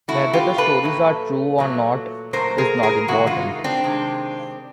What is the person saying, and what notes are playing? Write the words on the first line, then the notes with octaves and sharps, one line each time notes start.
Whether the stories are true or not is not important.
A#2 F#3 A3 E4 F#4
F4 G4
A4 B4
A#2 F#3 A3
A#2 F#3 A3
A#2 F#3 A3 A#4 C5
G#4 A#4
G#4 A#4
C3 D#3 G#3 E4 F#4
D#4 F4
C4 D4
C3 D#3 G#3